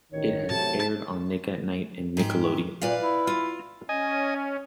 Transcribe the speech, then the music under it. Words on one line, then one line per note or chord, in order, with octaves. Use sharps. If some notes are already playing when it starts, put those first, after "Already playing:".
It has aired on Nick at Nite and Nickelodeon.
A1 D#3 C#5
C3 F#3 A3 A5
G#2 G4
A#2 B4 D5 F5
E4
F4
C#4 D#5 G#5